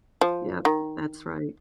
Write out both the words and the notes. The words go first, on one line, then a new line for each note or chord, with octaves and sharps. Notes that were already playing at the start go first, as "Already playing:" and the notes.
Yep, that's right.
F3
D#3